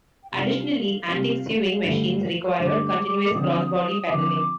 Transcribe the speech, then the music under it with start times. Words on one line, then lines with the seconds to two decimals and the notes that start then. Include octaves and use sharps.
Additionally, antique sewing machines required continuous cross body pedaling.
0.23 G5
0.32 C3 G3 C4 F4 F5
1.08 C3 G3 C4 F4
1.83 G2 D3 A3
2.59 G2 D3 A3 D6
3.34 D3 F3 C4 F4 D#6
4.10 D3 F3 C4 F4 D6